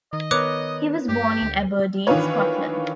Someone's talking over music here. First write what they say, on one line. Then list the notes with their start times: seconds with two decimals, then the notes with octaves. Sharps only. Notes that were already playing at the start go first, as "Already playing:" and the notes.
He was born in Aberdeen, Scotland.
0.13 D#3 D#5
0.31 B3 A#4 C#5 D6 D#6 F#6
1.09 G2 G4
1.42 D2
2.07 D#3 E3 D4 F4 B4 C#5